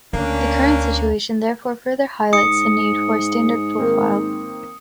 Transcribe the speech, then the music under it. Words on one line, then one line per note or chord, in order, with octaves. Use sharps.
The current situation therefore further highlights the need for a standard profile.
D2 A#3 C#4 D4
G#2 D#6 C#7
D#3 A#3 C4